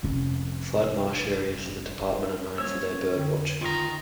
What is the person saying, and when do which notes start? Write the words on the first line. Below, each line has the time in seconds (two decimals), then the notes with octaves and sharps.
Flat marsh areas in the department are known for their bird watching.
0.03 F1 C#4
2.58 G3 A#3 C5 C#5 E6
3.16 F2 D3
3.61 D#3 F4 A#5